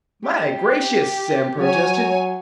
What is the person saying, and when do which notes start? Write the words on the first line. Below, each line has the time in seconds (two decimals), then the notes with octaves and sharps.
"My gracious!" Sam protested.
0.24 G4
1.59 F#3 C#5 G#5